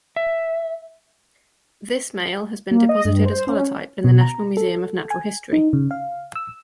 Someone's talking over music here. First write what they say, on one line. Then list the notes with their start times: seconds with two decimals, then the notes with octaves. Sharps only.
This male has been deposited as holotype in the National Museum of Natural History.
0.16 E5
2.71 A#3
2.89 D#5
3.05 G2
3.25 C5
3.47 C#4
4.04 B2
4.21 A#5
4.57 A4
5.10 G#5
5.53 D#4
5.73 C#3
5.91 F5
6.35 E6